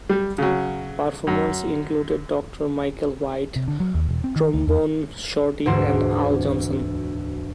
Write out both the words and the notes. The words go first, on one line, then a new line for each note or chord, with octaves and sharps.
Performers included Doctor Michael White, Trombone Shorty and Al Johnson.
G3
C#3 F#3
F#2
C3
D3
F#3
D#2
E1
C4
D#3
D2
E2
E1 D2 G#2 F#4 C6 E7